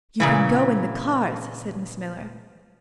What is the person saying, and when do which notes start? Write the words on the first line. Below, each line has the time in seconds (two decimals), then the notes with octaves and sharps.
"You can go in the cars," said Miss Miller.
0.20 A#2 C#3 E3